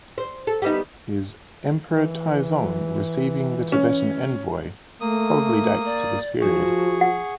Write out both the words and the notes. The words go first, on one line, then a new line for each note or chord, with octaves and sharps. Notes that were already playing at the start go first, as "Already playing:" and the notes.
His "Emperor Taizong Receiving the Tibetan Envoy" probably dates to this period.
C5
A4
G3 B3 D#4
E3
C#4
A3 A#3 D#6
D5
F3 F#4 G#4 C#6
F#5